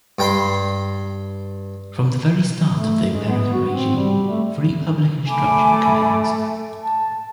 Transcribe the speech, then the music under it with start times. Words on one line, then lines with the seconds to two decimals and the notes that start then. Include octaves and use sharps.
From the very start of the American regime, free public instruction commenced.
0.19 G2 G5 B5 C6
2.74 A3
3.12 G#3
3.29 B3
3.53 F#4
3.73 C4
3.96 G3
4.30 A3
5.27 A3 G#5 B5 D6
6.83 A5